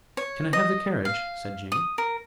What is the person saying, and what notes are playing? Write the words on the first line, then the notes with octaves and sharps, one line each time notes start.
"Can I have the carriage?" said Jane.
C#5
D#5
F5
D#6
A#4